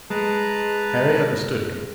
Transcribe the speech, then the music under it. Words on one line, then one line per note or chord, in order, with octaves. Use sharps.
Harry understood him.
G#3 B4 A5 A#5